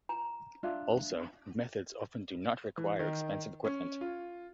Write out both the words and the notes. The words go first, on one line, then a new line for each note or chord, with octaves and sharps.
Also, methods often do not require expensive equipment.
A#5
D4 F4 E5
E3
D#3
C#4
F4